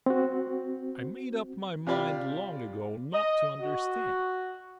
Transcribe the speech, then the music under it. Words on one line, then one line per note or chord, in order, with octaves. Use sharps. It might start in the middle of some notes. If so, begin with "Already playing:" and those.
I made up my mind long ago not to understand.
C4 F#4
C3 F4 G4 D5 B5
D#5
F#4